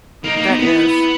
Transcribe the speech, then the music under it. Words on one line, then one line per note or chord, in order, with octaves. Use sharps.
That is.
A#3 D#4
A#3
B3
B3 E4